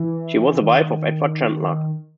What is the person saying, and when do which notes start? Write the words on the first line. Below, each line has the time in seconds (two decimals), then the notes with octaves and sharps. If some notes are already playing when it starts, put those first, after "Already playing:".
She was the wife of Edward Chandler.
Already playing: E3
0.50 E3
0.59 D#3